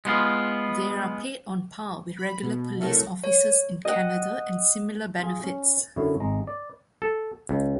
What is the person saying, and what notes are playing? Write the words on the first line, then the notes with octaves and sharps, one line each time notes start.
They are paid on par with regular police officers in Canada and similar benefits.
G#3 B3 F4
B5
B2
C2 F#3 A3 A4 A#4 C#6
C#5
D#5 F#5
F4 G#4
C#4
F#2 D3 E4 C#5
G#1 G#3 A#5
D5
A4
C#2